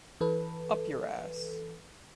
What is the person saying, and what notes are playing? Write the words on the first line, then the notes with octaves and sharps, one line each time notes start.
Up your ass!
E3 A4 B4